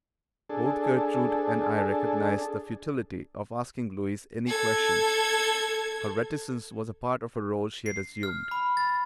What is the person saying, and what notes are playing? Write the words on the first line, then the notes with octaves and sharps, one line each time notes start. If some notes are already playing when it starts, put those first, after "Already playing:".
Both Gertrude and I recognized the futility of asking Louise any questions: her reticence was a part of a role she had assumed.
D4 G#4 A4
A4 G#6
C7
F6
B5
A6